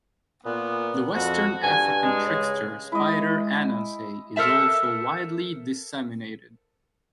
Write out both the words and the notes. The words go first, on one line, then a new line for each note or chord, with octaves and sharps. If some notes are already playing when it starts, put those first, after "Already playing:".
The Western African trickster spider Ananse is also widely disseminated.
A#2 B3
F2 F#4
G2 G#5
G#3
C#3
G#3 E4 D#5
A4 A#4 C5 E5 A5